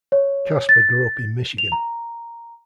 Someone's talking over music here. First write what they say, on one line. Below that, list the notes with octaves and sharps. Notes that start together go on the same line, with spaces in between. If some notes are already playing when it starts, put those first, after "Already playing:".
Kasper grew up in Michigan.
C#5
A6
F7
A#5